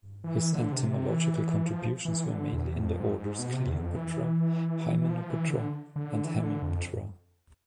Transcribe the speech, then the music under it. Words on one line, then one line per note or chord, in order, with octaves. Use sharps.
His entomological contributions were mainly in the orders Coleoptera, Hymenoptera and Hemiptera.
E3
D3
C3
C3
E3
F3
E3
D3
E2
F2
G#2
G#2
B2
C3
E2
F2
E3
E3
F3
E3
D3
D3
E3
D3
F2